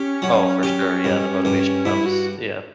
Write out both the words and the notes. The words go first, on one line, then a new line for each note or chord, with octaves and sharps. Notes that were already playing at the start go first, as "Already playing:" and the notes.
I oh, for sure, yeah. The motivation comes, yeah.
Already playing: C#4 G4
F#3
G4
G2
G2
G2 E4
F#4